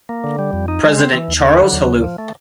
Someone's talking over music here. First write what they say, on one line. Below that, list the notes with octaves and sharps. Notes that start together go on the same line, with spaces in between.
President Charles Helou.
A#3
D3
G3
F2
D#4
G#3
C4
E3
D#2
D3
F#3
D#2
C#3
F3
A3